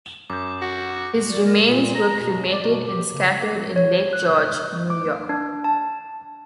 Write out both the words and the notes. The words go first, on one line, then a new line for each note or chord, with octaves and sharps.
His remains were cremated and scattered in Lake George, New York.
F#2 D6 G6
F#4
D5
A#4
A#2
A#5
B2
D5
B2
G4
C#3
A#3
C#5
F#6
D6
D4
A5